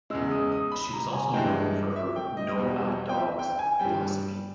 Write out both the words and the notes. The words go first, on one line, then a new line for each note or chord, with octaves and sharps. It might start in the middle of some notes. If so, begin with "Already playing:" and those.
She was also known for her "no bad dogs" philosophy.
E2 C#3 G#3 E6
D#6
D#6
B5
A#5
G#5
G2 E3 G#3 G5
E5
G5
D#5
E2 B2 G3
G5
E5
G5
G#5
G2 G3 G5